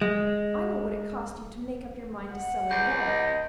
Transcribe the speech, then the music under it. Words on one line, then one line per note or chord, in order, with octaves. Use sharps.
I know what it cost you to make up your mind to sell it at all.
G#3
F#5
C#2 G6
D#5